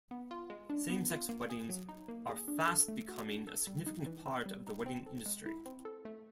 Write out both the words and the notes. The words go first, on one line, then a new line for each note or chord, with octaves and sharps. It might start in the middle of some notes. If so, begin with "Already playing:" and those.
Same-sex weddings are fast becoming a significant part of the wedding industry.
B3
F4
G#3
D4
B3
F4
A#3
G#4
F#3
D#4
A#3
G#4
D4
A4
A3
F#4
D4
A4
G3
D#4
E3
C4
G3
D#4
C4
A4
G#3
E4
C4
A4
A3